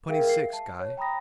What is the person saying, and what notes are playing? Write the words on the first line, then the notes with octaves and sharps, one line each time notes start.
"Twenty-six, Guy."
G#4 A#4 E5 F5 G5
C7
A5
C#5
G5 A#5 B5 D#6 A#6